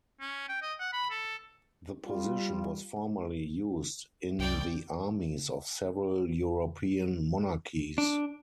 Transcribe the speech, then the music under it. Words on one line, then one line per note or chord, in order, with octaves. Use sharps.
The position was formerly used in the armies of several European monarchies.
C#4
G5
D#5
F#5
B5
A4
G3 F4
C2 D5 G5
D4